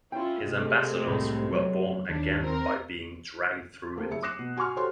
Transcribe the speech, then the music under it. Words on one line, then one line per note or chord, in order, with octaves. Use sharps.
His ambassadors were born again by being dragged through it.
C#4 E4 F4 G5 C6
C3 G#3 A3
C2 A2 B5
F#3 C#5
D#2 D4
C4 A#4
A3 A#3 C4
F#1 G#4 E5 C#7
D6 D#6 F#6 A#6 C7 E7
B2
F#4 G#5 C6 C#6 F6
F#4 G4 A4 C5 C#5 C6